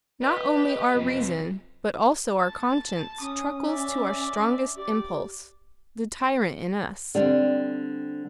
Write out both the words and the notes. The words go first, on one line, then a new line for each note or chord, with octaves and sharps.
Not only our reason, but also our conscience, truckles to our strongest impulse--the tyrant in us.
G4 B4 D#5
F2 C3 F#3
A5
C#4 D#6
D5 E5
G4 D5
D3 G3 C4